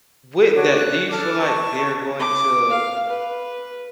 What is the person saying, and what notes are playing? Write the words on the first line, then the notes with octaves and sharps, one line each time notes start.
with that, do you feel like they're going to
D4 F#4 C#5
F#6
A4 A5 D6 F6
A5 C#6
D6
F5
B4